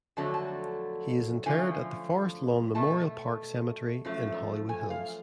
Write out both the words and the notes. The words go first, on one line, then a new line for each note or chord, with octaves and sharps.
He is interred at the Forest Lawn Memorial Park Cemetery in Hollywood Hills.
F2 D3 F#3 A3 A5
A5
F#2 D3 F3 A3 G#5
B2 A3 A5
F#2 F3 A3
G#5
F5